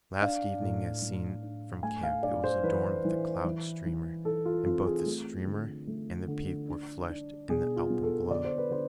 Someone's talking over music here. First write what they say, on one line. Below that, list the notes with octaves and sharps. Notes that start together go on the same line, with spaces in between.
Last evening as seen from camp it was adorned with a cloud streamer, and both the streamer and the peak were flushed in the alpenglow.
D4 F5
A2
A2
D4
A3 G#5
F5
D4 D5
C5
E3 B4
E3
E3
E3
E3 A4
F4
C4 F4
G#4
A3
D3
A3
D3
D4
D4
B2 G#4
F4
B3
A4
D3 D5
C5
B4
D3 C5